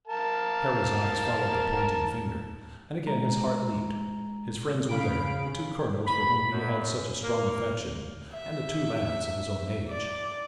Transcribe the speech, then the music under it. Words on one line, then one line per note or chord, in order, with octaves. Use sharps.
Harry's eyes followed the pointing finger, and again his heart leaped. His friends were there, the two colonels for whom he had such a strong affection, and the two lads of his own age.
A#4 F5 A5
G#3 A#5
C#3 F5 B5 D7
B5
F#2
A#3
E5
D5